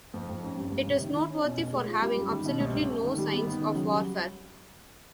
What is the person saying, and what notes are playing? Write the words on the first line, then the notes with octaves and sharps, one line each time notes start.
It is noteworthy for having absolutely no signs of warfare.
F2
F2
A1
G2
F2
C3
D#3
E4
C#4
B2
F1
G#3
F4
G3
F#2
D#3
B2
C2
A1
A3
D#3
G3
B3
D#3
C#3
F#3
G3